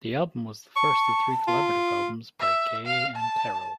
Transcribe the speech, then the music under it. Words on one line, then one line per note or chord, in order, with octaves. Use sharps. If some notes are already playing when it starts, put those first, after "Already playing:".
The album was the first of three collaborative albums by Gaye and Terrell.
A5 C#6
F4
E5
F5
A5